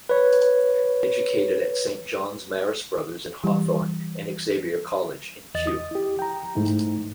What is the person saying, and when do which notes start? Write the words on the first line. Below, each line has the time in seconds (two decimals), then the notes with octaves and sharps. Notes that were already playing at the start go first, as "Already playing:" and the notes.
Educated at Saint John's Marist Brothers, in Hawthorn and Xavier College in Kew.
0.09 B4 C#5
3.44 E3 G3
5.54 E2 D#5 A6
5.67 D#6
5.91 E4 G4
6.19 G5 A#5
6.55 G#2 A3 D#4 E4